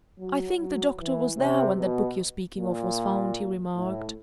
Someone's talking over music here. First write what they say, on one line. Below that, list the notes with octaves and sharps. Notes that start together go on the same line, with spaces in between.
"I think the doctor was there when that book you're speaking of was found," he remarked.
F#3
F#3
E3
C3
B2
A#2
A2